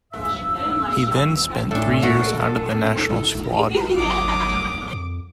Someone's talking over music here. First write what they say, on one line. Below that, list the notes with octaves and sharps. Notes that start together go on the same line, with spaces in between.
He then spent three years out of the national squad.
G2 E5 E6
A2 D4 A4
A#2 F#4
G#1 F#3 A#3 D6 D#6
F2